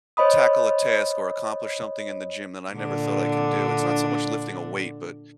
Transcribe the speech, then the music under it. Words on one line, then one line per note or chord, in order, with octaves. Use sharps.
tackle a task or accomplish something in the gym that I never thought I can do, it's not so much lifting a weight, but
C5 C#5 D#5 B5 D#6
A#2 D3 D4